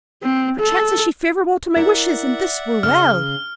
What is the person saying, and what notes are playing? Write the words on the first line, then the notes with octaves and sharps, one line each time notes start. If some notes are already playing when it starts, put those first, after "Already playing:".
Perchance is she favourable to my wishes, and this were well!'
C4
A4
E4 A#4 D5 E5 F#5
C#3 F6